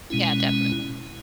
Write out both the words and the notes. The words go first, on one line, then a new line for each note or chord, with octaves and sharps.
Yeah, definitely.
B2 G#3 C#4 E4